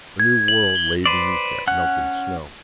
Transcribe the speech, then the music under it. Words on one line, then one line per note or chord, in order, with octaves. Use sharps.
A new world lay beneath that melting snow.
G#6
F#7
G7
B4 C5 D5
C#4 F#5 F#6